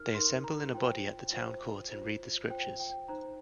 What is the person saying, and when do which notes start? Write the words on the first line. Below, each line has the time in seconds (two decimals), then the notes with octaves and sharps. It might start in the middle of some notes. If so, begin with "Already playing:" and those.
They assemble in a body at the Town Court and read the scriptures.
Already playing: D#4 A#4 F6
0.14 D#4 A#4 C6
0.44 A#5
0.73 F4 C5 G5
1.33 F4 C5
1.91 F4 C5
2.50 F4 C5 G5
2.80 G5
3.08 D#4 C5 A#5